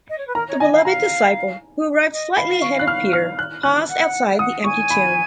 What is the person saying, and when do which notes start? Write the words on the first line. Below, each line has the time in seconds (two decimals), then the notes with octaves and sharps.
The Beloved Disciple, who arrived slightly ahead of Peter, paused outside the empty tomb.
0.09 D#5
0.18 C#5
0.27 B4
0.35 A#4 A#5
0.48 C#5
0.60 D#5 G#5
0.73 F5
0.85 F5 A#5
2.12 D#5
2.37 F5 B5
2.62 C#6
2.79 F#6
2.87 F6
3.13 F6
3.39 F#6
3.63 F#6
3.89 F#5
4.34 F5
4.39 F#5 D#6
4.64 G#5 C#6
4.90 B5